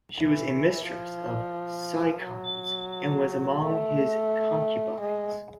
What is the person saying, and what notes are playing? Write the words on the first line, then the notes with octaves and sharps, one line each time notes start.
She was a mistress of Physcon's and was among his concubines.
E3
F3
F#3
A3
G#3